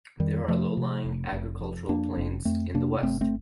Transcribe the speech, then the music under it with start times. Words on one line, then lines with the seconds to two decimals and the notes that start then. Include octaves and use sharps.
There are low-lying agricultural plains in the west.
0.19 F2 D#3 G3
0.48 C3 F3 A3
0.77 C3
1.05 F1
1.32 F1
1.61 F2
1.89 F2 A#3 D4
2.17 F1
2.45 F2 A3 C4
2.74 C3 A#3 D4
3.02 G1 A3 C4
3.21 A3 C4